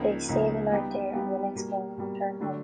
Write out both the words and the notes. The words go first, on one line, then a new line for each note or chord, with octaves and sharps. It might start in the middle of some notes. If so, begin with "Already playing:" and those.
They stay the night there and the next morning return home.
Already playing: C#2 C#3 F3 A#3 D#4
C#2 C#3 F3 A#3 D#4
G3 B3 D#4 G4
G3 B3 D#4 G4
B2 G3 A#3
B2 G3 A#3
D3 F#3 A3 D4